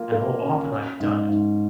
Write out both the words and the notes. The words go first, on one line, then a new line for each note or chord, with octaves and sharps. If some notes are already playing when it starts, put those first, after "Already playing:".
And how often I've done it!
Already playing: A#3 F4
A#3
C#4
C#4
G#2
G#2